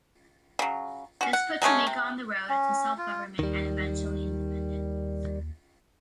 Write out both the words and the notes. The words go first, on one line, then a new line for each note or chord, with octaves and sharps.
This put Jamaica on the road to self government and eventually independence.
C#3 F#3
C#4 F#4
F#5
F#3 G#3 A3 C#4
C3
C#4
F4
D#2 D#3 G3